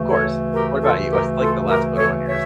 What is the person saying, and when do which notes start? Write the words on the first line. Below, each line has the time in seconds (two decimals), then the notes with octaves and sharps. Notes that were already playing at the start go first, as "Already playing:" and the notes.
Of course, what about you, what's, like, the last photo on yours?
Already playing: D2 C#3 E3 A3
0.09 A4 C#5
0.52 G4 A#4
0.81 F4 A4
1.10 G4 A#4
1.39 F4 A4
1.68 G4 A#4
1.97 A4 C#5
2.25 C#5 E5